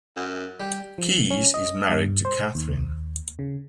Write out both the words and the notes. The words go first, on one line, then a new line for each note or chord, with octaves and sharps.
Keyes is married to Catherine.
F#2
G3 G4
F3
C#4
D#5
G2
C5
D#2
C#3